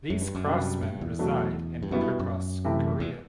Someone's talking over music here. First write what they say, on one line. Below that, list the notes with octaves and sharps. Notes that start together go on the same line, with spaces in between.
These craftsmen reside and work across Korea.
F#2
G2
F#2
C3 G3 D4 F#4
G2
E2
B2 F#3 A3 D4
G2
F#2 B2 G3 B3 E4
G2
F#2
C3 E3 A3 E4
E2